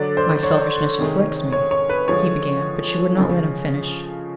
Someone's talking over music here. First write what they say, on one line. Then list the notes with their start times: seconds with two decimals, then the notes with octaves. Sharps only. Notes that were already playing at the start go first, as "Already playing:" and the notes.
"My selfishness afflicts me--" he began, but she would not let him finish.
Already playing: D3 F#3 D5
0.17 C5
0.43 C#5
0.99 C3 D#3 G#3
1.52 C#5
1.71 C#5
1.89 B4
2.08 D3 F3 G#3 C#5
3.16 C#3 F3 G#3